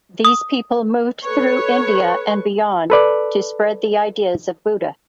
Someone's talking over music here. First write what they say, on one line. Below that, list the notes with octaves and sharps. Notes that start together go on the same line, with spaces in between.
These people moved through India and beyond to spread the ideas of Buddha.
D#6
A4 B4 C#5 C#6
A4 B4 D5